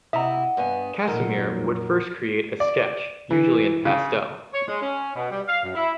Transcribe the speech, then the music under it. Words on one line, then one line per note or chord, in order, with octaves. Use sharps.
Kasimir would first create a sketch-usually in pastel.
C3 E4 D#5 E5 F#5 A#5
G2 B3 G#5
F2 A#2 F#3 D#4 A4 A#4
D5
E3
C#3
C#5
G#3
C#4
B2
G3
F5
F#2
E4